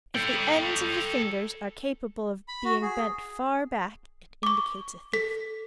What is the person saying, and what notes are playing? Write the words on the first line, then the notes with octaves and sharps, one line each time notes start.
If the ends of the fingers are capable of being bent far back, it indicates a thief.
A4 G5
B5
F#4
G#4
C#6 D6
A4 B6